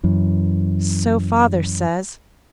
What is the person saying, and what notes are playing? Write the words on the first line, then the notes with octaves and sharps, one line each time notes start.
'So father says.
F#2 E3